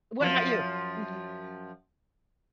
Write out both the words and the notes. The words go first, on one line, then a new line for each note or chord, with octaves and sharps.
What about you? Mhm.
F#2 F3